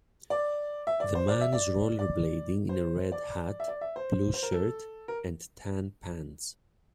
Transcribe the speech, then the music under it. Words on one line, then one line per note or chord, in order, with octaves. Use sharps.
The man is rollerblading in a red hat, blue shirt, and tan pants.
D5
E5
D5
C5
D5
E5
D5
D5
C5
D5
E5
D5
E5
C5
C5
A#4
A4
A#4